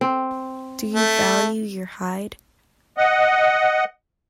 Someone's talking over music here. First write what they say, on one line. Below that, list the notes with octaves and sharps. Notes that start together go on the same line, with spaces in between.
Do you value your hide.
C4
A3
D#5 F#5